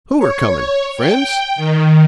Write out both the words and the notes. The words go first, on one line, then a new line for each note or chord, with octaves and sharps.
'Who are coming--friends?'
C#5
G5
D#3